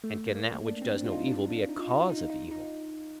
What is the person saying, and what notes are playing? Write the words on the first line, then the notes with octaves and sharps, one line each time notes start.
And can that which does no evil be a cause of evil?
A3
A3
A#3
D4
C4
D4
F4
D#4
D4
D4
D#4
F4
D#4
F4
D#4
D#4
D#4